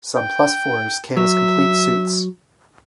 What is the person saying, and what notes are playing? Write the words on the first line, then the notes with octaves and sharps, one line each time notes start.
Some plus fours came as complete suits.
G5
F#3 E5